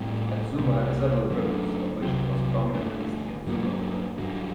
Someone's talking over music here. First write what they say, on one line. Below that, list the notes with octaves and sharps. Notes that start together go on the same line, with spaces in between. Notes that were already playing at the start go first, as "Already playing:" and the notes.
Atsuma has several rivers of which the most prominent is the Atsuma River.
Already playing: A2 G3 C4
C2 A#2 G3
F#2 D3 A3
C2 C3 F#3 C4
G2 D3 A3 D4
G1 G2 F#3 A#3
G2 D3 F#3